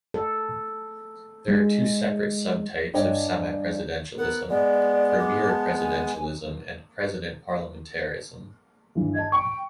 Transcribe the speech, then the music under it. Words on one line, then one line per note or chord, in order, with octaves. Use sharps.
There are two separate subtypes of semi-presidentialism: premier-presidentialism and president-parliamentarism.
A4
G#3
G2 D4 C#5 D#5 G5 G#5
B3 A#4 F#5
G#3 B3 D5
D6
A5
G#5
G2 E3
D#5 A5 G#6
G5 C#6